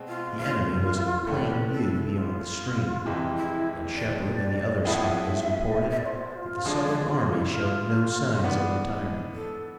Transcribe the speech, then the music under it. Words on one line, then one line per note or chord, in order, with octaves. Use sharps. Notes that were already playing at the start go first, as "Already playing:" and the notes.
The enemy was in plain view beyond the stream, and Shepard and the other spies reported that the Southern army showed no signs of retiring.
Already playing: B2 G#3 C4
F4
F4
A2 E3 A3 D5
B4
A4
A4
F4
F2 C3 E3 G#3 E4
E4
D5
A2 F3 B3 E4 G#4 E5
D5
E5
E5
D5
C5
F4
D3 F3 G#3 D4 G#4
G#4
F4
E4
F4
E3 B3 D4
A4